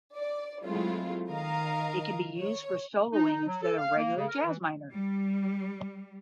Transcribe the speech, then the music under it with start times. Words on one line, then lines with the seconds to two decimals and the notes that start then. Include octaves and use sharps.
It can be used for soloing instead of regular jazz minor.
0.16 D5
0.63 F#3 G#3 A3 C4 E4 F4
1.29 D#3 A#4 D#5 F5 A#5
2.41 C#5
3.13 D#4
3.30 D#4
3.47 F#3
3.62 A4
3.78 F5
3.97 A#3
4.16 C#3
4.28 A#4
4.45 E3
4.91 G3